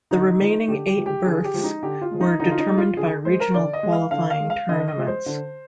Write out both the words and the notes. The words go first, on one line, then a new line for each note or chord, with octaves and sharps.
The remaining eight berths were determined by regional qualifying tournaments.
D3 D#4
F3 G#3
D3 G4
G4
F3 G#3
G4
D3 G#4
G4
F3 G#3
D#4
D3 G4
F4
F3 G#3
D#4
D3 D#4
F4
D#4
G#3
F4
D3 G#4
G#3 C5
A#4
D3 D5
D#5
G#3
F5
D3 F5
F5
G#3
F5
D3 D#5
D#5
F3 G#3
C5
D3